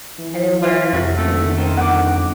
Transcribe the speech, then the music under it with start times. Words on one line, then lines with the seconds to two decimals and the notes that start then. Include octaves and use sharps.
And it learns and,
0.19 E3
0.62 F4
0.93 C2 F2 C3 F#4
1.17 F#1 A3
1.58 D#3 C5
1.77 G1 F#5 G5 D6